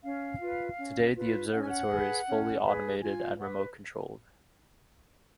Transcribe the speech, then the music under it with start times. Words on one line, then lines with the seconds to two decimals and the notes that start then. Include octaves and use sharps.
Today the observatory is fully automated and remote controlled.
0.02 C#4 F5
0.39 F4 B4
0.77 C#4
1.15 F4 B4
1.52 C#4 F#5
1.61 G#5
1.69 F#5
1.89 G#4 B4
2.27 C#4
2.65 G#4 B4
3.02 F4 G#5
3.39 B4 F#5